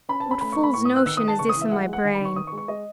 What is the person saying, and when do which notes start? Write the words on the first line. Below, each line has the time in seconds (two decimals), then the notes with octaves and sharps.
What fool's notion is this in my brain?
0.09 C#4 B5
0.20 A5
0.26 C#4
0.31 B5
0.41 A3 B5
0.52 C#6
0.58 A3
0.63 B5
0.74 A2 C#6
0.85 D#6
0.91 B3
0.96 F#6
1.06 D#3 E6
1.17 D#6
1.23 G#3 A5
1.39 C#3 C#6
1.49 D#6
1.55 E3
1.61 E5
1.72 G#3 F#5
1.87 G#3
1.93 F#5
2.04 D#3
2.14 B5
2.21 D#3 C#6
2.36 D#3 D#6
2.47 C#6
2.52 G#3
2.57 C#6
2.68 G#3 D#5